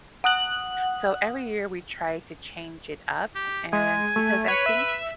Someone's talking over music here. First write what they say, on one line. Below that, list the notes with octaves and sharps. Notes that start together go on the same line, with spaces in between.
So, every year we try to change it up. And because I think
F#5 D#6 F#6 F#7
G4
G#3 G#5
A3
B4 C#5
E5